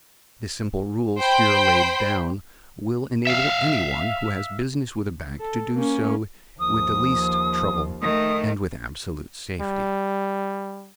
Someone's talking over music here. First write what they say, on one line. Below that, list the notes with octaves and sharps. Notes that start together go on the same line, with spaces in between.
The simple rules here laid down will enable anyone who has business with a bank to do so with the least trouble and with absolute safety.
C5 G5 B5
E5 F5
A4
A#3 C#4
D#2 F3 D#6
D#3 A3 D#6
G3